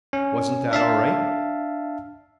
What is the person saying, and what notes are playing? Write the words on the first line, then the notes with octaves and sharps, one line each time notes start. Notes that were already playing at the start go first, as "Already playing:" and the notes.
"Wasn't that all right?"
C#4
D4 E5 F5 A5